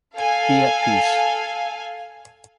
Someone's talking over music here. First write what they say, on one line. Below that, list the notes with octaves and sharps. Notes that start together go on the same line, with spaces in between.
Be at peace.
A4 F5 G#5